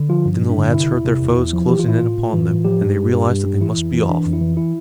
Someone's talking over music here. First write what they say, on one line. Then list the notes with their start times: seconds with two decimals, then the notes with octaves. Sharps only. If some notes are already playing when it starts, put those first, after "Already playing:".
Then the lads heard their foes closing in upon them, and they realized that they must be off.
Already playing: D3
0.09 F3 F4
0.25 G2
0.42 G2
0.50 D4
0.57 D3
0.73 C3 E4
0.90 E2
1.05 C3
1.21 E2
1.37 E2
1.53 F3
1.69 E3 G4
1.79 F4
1.85 A2 E4
1.99 A2 F4
2.17 A2
2.33 E3
2.49 A2
2.65 F3 G4
2.81 G2
2.97 G2
3.14 G2
3.30 G2
3.45 G2
3.61 E3 E4
3.78 F2
3.93 E3
4.09 E3 D4
4.25 F2
4.33 E4
4.41 E3
4.57 E4